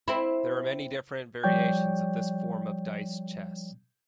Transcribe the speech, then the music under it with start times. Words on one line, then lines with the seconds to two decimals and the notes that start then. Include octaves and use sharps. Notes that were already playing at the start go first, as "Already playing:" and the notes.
There are many different variations of this form of dice chess.
0.08 C4 E4
1.43 F3 G3 C#5 D5 G5 G6